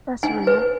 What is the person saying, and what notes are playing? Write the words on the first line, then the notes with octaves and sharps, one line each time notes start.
that's real.
D#4 G#5
B4